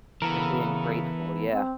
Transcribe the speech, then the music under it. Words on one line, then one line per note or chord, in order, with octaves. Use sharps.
And being grateful. Yeah.
C#3 E3 B3 A4 A#4
C4